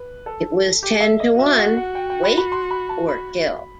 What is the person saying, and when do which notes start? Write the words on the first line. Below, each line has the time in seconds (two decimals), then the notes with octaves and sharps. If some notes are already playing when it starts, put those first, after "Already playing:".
It was ten to one — wake or kill.
Already playing: B4
0.26 A4
0.83 G4
1.00 E5
1.20 D#5
1.39 F#4 E5
1.58 F#5
1.77 F#5
1.95 G5
2.10 G5
2.24 B5
2.38 B5
2.52 C6
2.71 B5
2.89 A5
3.09 B5